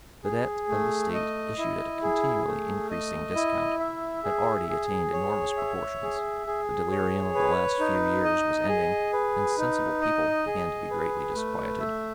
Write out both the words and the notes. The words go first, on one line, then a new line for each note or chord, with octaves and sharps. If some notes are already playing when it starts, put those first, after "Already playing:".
The debt of the State, issued at a continually increasing discount, had already attained enormous proportions; the delirium of the last few years was ending, and sensible people began to be greatly disquieted.
G#4
A3
D#5
E4
G#4
A3
D#5
E4
E5
G#4
G#4
C#5
E5
G#4
G#4
C#5
B4
D#4
D#5
G#4
B4
D#4
D#5
G#4
B4
A3
E5